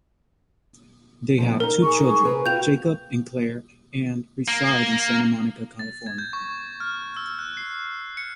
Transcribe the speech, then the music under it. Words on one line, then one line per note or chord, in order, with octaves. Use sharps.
They have two children, Jacob and Claire, and reside in Santa Monica, California.
A#2 C#3 F3
D#4 A#4 A#5
G#4 C#6
C3 A#4 B4
F4 F#4 G5 G6 F7
A#3
A6
G#6
G6
C#6
F6
E6
F#6
C7
C#7